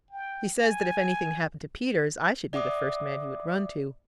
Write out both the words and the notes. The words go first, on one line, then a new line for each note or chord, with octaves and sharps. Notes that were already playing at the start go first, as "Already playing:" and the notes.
He says that if anything happened to Peters, I should be the first man he would run to.
G5
G#5
D5 E5 F#5 D6 D#6